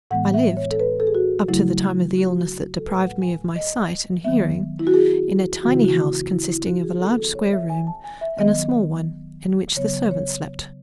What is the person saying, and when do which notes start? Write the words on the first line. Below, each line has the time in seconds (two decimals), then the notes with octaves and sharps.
I lived, up to the time of the illness that deprived me of my sight and hearing, in a tiny house consisting of a large square room and a small one, in which the servant slept.
0.11 A2 E3 G#3 B3 F#5
0.34 E5
0.57 C#5
0.71 A4
0.80 B4
1.00 A4
1.07 G#4
1.15 F#4
1.48 C#3 F#3 A3 E4
2.18 F#4
2.79 A4
2.87 A2 F#3 A3 B4
3.04 F#5
3.21 G#5
3.56 D#5
4.25 D#3 F#3 B3 E5
4.79 E4
4.87 F#4
4.94 G#4
5.63 C#3 E3 G#3 B3 F#4
5.74 E4
5.84 F#4
6.31 E4
6.49 E4
6.67 F#4
6.83 G#4
7.00 D#3 F#3 B3 A4
7.18 A4
7.35 C#5
7.53 E5
7.70 G#5
7.87 A5
8.04 G#5
8.21 E5
8.39 D#3 F#3 B3 D#5
9.76 C#3 F#3 B3 C#5
10.11 C#5